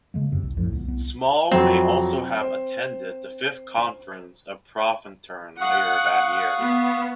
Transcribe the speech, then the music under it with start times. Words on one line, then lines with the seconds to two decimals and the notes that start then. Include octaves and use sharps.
Small may also have attended the fifth conference of Profintern later that year.
0.14 C#3 G#3 A#3
0.31 E1 F#2 C3
0.43 C2
0.57 B1 F#2 A2 F3
0.73 C#2 B3
0.85 C2 B3
1.52 F2 F#3 C4
2.39 C5
5.61 F5 F#5 C#6 D#6
6.61 B3